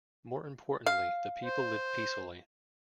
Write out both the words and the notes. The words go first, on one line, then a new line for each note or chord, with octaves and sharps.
More importantly, the people live peacefully.
F5
C5